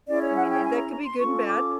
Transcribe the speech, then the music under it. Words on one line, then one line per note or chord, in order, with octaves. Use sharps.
I mean, and that could be good and bad.
C#4 E4 G#4 D5
C#5
F#5
G#5
G5
G#5
A#5
A#5
C6
C#4 F4 A4 C#6
D6